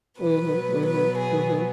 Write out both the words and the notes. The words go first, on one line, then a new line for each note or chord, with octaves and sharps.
Mhm, mhm, mhm.
B2 F#3 B3 B4
B4
G#4